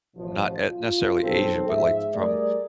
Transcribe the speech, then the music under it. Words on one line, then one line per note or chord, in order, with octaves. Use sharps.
not e necessarily Asia, but, like, from
A1 B2 F3
F4
B1 C4 A4
G#2 F3 E5
G3 A3 G#4 A#4 D5